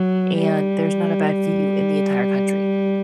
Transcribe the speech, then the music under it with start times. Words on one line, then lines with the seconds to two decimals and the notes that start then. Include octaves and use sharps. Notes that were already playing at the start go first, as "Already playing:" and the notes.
and there's not a bad view in the entire country.
Already playing: F#3
0.39 G3